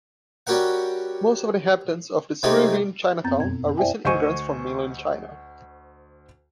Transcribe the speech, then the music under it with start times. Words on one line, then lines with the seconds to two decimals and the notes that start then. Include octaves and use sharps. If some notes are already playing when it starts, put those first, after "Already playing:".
Most of the inhabitants of the Cyrildene Chinatown are recent immigrants from mainland China.
0.47 G3 C#4 F#4 G4 A#4 F#5
2.43 C3 G#3 A3 C4 D#4 G4
3.24 F#2 B3 C4 A#5 G6 A6
3.38 F2 B2 G#6
3.77 E4 C5 D5 E5 G5 G#5
4.05 D2 C5 D#5 G#5 C#6 D#7